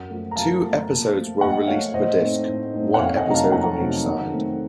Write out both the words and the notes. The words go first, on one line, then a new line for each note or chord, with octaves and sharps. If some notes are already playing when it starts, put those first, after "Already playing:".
Two episodes were released per disc, one episode on each side.
Already playing: F#2 F#5
F3 A3
A#5
F#2 F5 A5
F3 A3
A#2
F3 A3
A#2 D#5 F#5
F3 A3 C#5 F5
A2 C5 D#5
A3 C4 D#4
A2
A3 C4 D#4
F#5
F2 C#5 F5
D#5 F#5
C3 F#3 A3 D#4 A#5
F5 A5
F2 F#5 A#5
C3 F#3 A3 D#4
D#3
A3 C4 D#4